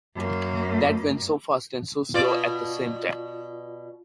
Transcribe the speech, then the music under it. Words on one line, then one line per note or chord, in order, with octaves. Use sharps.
That went so fast and so slow at the same time.
F#2 A#3
B2 F4 D5